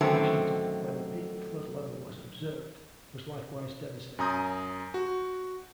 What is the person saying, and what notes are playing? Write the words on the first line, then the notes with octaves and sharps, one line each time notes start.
Washington, where the peak flood level was observed, was likewise devastated.
F#2 D3 D#3 A3 C4 A5
F#2 G#5 A#5 D#6 G6
F#4